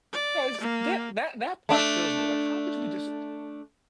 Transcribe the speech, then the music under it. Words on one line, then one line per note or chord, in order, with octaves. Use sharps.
No, is that that that part kills me, like, how could you be just
D5
A#3
A3 D4